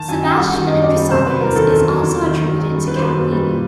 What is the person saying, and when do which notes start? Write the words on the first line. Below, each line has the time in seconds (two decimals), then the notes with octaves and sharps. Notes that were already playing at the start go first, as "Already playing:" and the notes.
Sebastian and Chrysogonos, is also attributed to Cavallini.
Already playing: D#3 A5
0.08 F#2 G#5
0.23 F#2 G5
0.37 G3 F#5
0.52 D#3 F#5
0.67 F#2 D#5
0.82 F#2 D5
0.96 G3
1.11 C3 C5
1.26 F#3 B4
1.40 E2 A#4
1.55 D#3 A4
1.70 C3 A4
1.85 F#3
2.00 E2
2.14 D#3
2.28 D#3
2.44 F#2
2.58 F#2
2.73 G3
2.88 D#3 B4
2.96 C5
3.02 F#2 B4
3.17 F#2
3.32 G3
3.47 A#2